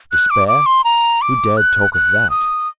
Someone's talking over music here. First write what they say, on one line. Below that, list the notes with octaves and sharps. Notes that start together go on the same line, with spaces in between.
Despair! Who dared talk of that?
F#6
D6
D6
C6
A#5
D6
F#6
F#6
D#6